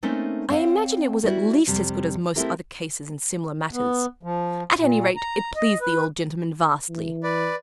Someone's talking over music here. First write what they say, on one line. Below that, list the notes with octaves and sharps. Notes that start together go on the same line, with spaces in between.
I imagine it was at least as good as most other cases in similar matters: at any rate, it pleased the old gentleman vastly.
A3 A#3 C4 C#4 D#4 A4
C4 C#5 F5 F#5
G3 B3 E4 F#4
F2 C3 G3
A3 A#3 C4 E4 G4 A#4
B3
F3
A#2
A#5
D#5
B4
E3
B4 D5